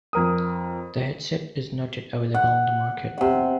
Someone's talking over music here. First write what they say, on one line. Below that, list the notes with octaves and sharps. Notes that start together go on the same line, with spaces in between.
The headset is not yet available on the market.
F2 A#4 D#6
F#5
C3 F#5